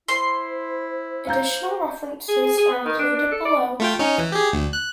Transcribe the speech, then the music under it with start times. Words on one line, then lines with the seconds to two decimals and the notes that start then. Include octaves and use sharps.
Additional references are included below.
0.08 E4 C5 C6
1.27 F5 A#5 G6
2.28 G#4
2.43 G#4
2.58 G#4
2.71 B3
2.85 D#3
2.99 D4
3.16 D4
3.31 A4
3.45 D5
3.80 A3 F4 G5
3.99 C#4 D#4
4.18 E3
4.32 G4 G#4
4.53 D2
4.73 F#6